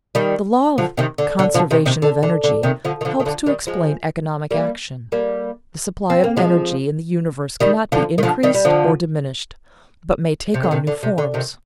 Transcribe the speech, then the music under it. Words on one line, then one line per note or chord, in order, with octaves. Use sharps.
The law of "conservation of energy" helps to explain economic action; the supply of energy in the universe cannot be increased or diminished, but may take on new forms.
D#3 G3
D3 F3
C3 D#3
D3
D3
D3 F3
C3 D#3
C3 D#3
D3
D3
D3
C3 D#3
D3 F3
D#3
D3 F3
D#3
D3 F3
D#3 G3
F3 G#3
G3 A#3
G3 A#3
C4
A#3
F3 G#3
D#3 G3
D3 F3
D#3
D3 F3
D#3 G3
G3
D3 F3
C3
D3
C3 D#3
D3
C3
D3
C3 D#3